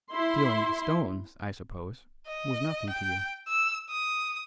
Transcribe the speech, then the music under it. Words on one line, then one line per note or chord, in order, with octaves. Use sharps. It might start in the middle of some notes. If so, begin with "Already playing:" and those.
Stealing the stones, I suppose, was nothing to you.
E4 C6
D#5
G5
E6
D#6